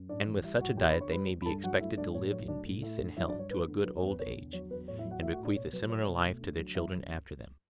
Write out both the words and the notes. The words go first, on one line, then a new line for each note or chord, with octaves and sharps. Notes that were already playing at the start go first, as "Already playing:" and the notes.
And with such a diet they may be expected to live in peace and health to a good old age, and bequeath a similar life to their children after them.
Already playing: F#2
A2 D4 D5
E3
G3 E4 E5
A2 F#4 F#5
E2 G4 G5
B4 B5
D3
C#5 C#6
G3 B4 B5
E2
B5
G2 A4 A5
F#3 F#4 F#5
A3 E4 E5
G2 D4 D5
A2 C#5
F#3 C#5
A3 D4 D5
A2
A3 E4 E5
D3
F#3 E4 E5
D4 D5
G2
C#5
A3 B4
D3
F#3 B4
C#5
E2 B4
E2 C#5
D3
F#3 C#5
E2 B4
A2 C#5
E4 E5
F#3
F#4 F#5
A3 E4 E5
F#4 F#5
A2
D4 D5
B2 C#5
F#3 B4
A3 C#5
B2
A3
D3
F#3
F#2 E4 E5